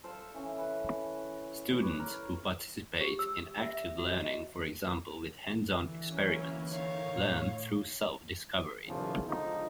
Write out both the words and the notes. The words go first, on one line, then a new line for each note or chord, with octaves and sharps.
Students who participate in active learning for example with hands-on experiments learn through self-discovery.
A4 C5 F5 A5
E3 C#4
B4
B4 C#5 D6
A#4
G4
E6
E5
F#4
D#5
D3 E3
F#3 A#3 C#4
D#3 C#5 F5
A2
B1 E2 A#2 C#3 F3
C#2 D3 F3 D#4